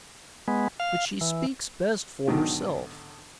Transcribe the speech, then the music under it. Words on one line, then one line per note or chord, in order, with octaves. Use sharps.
But she speaks best for herself.
G#3 B3
F5
E3
G#2 B2 D3 D#3 F#3